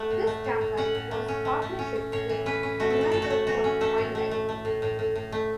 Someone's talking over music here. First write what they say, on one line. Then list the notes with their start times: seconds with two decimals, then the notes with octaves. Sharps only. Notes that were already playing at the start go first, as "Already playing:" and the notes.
This campaign was partnershipped with United for Wildlife.
Already playing: A3 F#5
0.11 A2
0.27 A3
0.44 A2
0.61 A2
0.77 C#4 F#5
0.95 A2
1.11 A3
1.28 C#4
1.45 A3
1.62 A3
1.79 C#4
1.96 C#4
2.12 A2 C#5
2.29 E3
2.46 C#4 B4
2.63 C#4
2.80 A3 F#4
2.90 A4
2.97 E3 F#4
3.12 A2 A4
3.22 F#4
3.30 A3
3.47 E3 F#4
3.64 C#4
3.81 A3 A4
3.98 A2
4.15 A3
4.31 A3
4.49 A3
4.65 A2
4.82 A2
4.99 A2
5.16 A2
5.32 A3